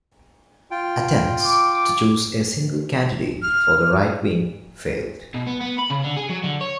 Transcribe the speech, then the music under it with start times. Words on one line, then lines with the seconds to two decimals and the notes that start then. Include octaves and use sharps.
Attempts to choose a single candidate for the right-wing failed.
0.71 F4 G5
1.42 D6
3.42 F6
5.34 B2
5.46 B3
5.61 B3
5.78 B5
5.90 C#3
6.04 D3
6.16 G#4
6.29 F#3
6.44 D3
6.61 C#5